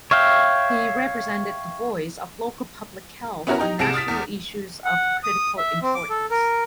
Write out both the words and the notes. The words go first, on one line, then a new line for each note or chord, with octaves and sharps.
He represented the voice of local public health on national issues of critical importance.
C#5 E5 F5 G5
B3 C#4 E4 F#4 A#4 C#5
D#4 G4 A#5
C2 C3 G#4 A5 D7 E7
D#6 F6 A6 B6
E2
F#5
D#6
E5
C4
D6
A4
A#4